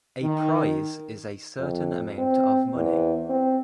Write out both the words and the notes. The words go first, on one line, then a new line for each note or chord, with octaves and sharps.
A prize is a certain amount of money.
D#3
F2
C4
E2
C4